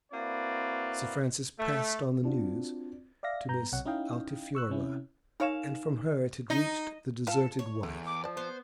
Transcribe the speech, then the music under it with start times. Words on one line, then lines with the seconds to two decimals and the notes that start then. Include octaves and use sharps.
Sir Francis passed on the news to Miss Altifiorla, and from her it had reached the deserted wife.
0.12 A#3 C4 E4 F#4 B4 D5
1.59 A3
2.23 C4 D4 F4 F#4
3.23 D5 E5 F5 A#6
3.48 G2 B3 A#5 G6
3.72 B1 C3 C#5 F#5
3.85 C#4 D#4 E4 D#5 F5 G5
4.55 C#6 E6 F#6
4.70 C3 C#4 E4
5.40 D#4 A#4 C#5 F5 E7
6.50 D#4
7.27 F4 A4 F5
7.59 C#5
7.83 E2 A3
8.07 D6
8.24 F3 D5 A5
8.37 B3 C5